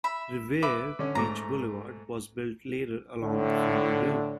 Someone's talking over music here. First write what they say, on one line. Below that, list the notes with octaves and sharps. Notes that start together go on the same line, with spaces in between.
Revere Beach Boulevard was built later along the former route.
E5 B5
B4 E5 B5 D6
D3 C#4
G#2 A3 A#5 D6
A2 D3